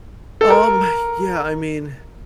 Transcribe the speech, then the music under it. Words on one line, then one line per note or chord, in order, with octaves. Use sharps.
Um, yeah. I mean,
A4
A#4